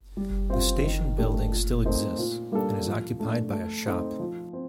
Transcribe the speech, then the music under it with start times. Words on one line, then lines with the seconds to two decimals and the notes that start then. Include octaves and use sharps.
The station building still exists, and is occupied by a shop.
0.17 G3
0.50 C4 F4
0.84 D#3
1.18 A3 D4 G4 A#4
1.51 A#2
1.84 A3 C4 D#4 A#4
2.18 A#2
2.52 G3 A#3 D4 A4
2.85 F3
3.19 A3 D4
3.52 A3
3.86 C4 D#4 A4
4.20 F3
4.53 C4